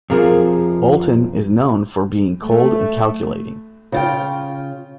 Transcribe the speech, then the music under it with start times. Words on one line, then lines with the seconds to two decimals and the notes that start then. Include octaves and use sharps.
Bolton is known for being cold and calculating.
0.10 F2 C3 F3 G#4 A#4
2.42 A3
3.92 C#3 F4 G5